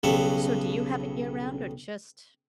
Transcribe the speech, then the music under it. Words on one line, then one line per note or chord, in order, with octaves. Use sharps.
so do you have it year round, or just
B1 C#3 G3 B3 A4 F#5